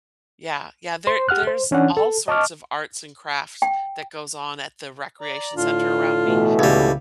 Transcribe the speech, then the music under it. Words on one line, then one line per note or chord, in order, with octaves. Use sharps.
Yeah, yeah, there there's all sorts of arts and crafts that goes on at the recreation center around me,
C5 C6
G4 F#5 F6 F#6
C5
E3 C#4 D4 F#5
A4
D#5 A5 C#6 D6 F6
G5
D5 A#5
A2 D3 D4 F4
B2 E3 A3
C#2 G3